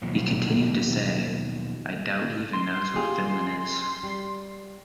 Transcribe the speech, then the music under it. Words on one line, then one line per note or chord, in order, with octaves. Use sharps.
He continued to say: I doubt he even knows where Finland is.
D#2 B2 F3 F#3
C6
F4 G4 G#4
G3